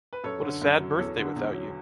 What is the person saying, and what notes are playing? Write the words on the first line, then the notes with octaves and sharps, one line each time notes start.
What a sad birthday without you!
B4
F#2 A4 C#5
D3
F#2
F#3
E2 A4 C#5
D3
E2
F#3